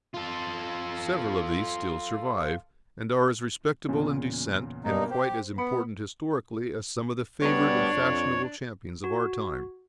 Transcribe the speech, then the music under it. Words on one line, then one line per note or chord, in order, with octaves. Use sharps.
Several of these still survive, and are as respectable in descent and quite as important historically as some of the favoured and fashionable champions of our time.
F4 A4
E2 A#2 C#3
G2 B2 A#3 D#4
G4 C5
B3 B5 C#7
D2 G3 B3 D4 C#5
F2
F#4